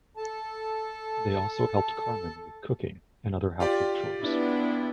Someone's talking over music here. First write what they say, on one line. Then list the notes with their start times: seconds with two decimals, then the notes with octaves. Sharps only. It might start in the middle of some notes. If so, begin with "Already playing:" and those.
They also helped Carmen with cooking and other household chores.
0.17 A4 A5
3.60 F4 G4 D5
4.20 B3 D4 E4